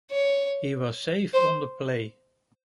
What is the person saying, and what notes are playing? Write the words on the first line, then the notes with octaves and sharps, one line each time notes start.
He was safe on the play.
C#5
C5